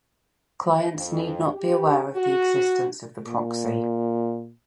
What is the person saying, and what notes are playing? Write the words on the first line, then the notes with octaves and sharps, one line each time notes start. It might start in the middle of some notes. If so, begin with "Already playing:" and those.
Clients need not be aware of the existence of the proxy.
F2
G4
F#4
A#2